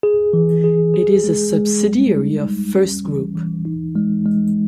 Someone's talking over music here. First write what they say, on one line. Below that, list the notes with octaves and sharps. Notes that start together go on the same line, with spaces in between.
It is a subsidiary of FirstGroup.
G#4
E3
G#4
G#4
G#3
G#3
G3
D#4
G3
C#4
E3
E3
D#4
G#3
G#3